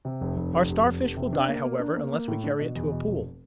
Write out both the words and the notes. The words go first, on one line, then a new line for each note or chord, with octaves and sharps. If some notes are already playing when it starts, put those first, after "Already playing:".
Our Starfish will die, however, unless we carry it to a pool.
C3
F1
F1
F1
F1
F1
F1
C3
D4
A#3
A#3
D4
A#3
A#3
A2
D4
B2
E2
B2
F1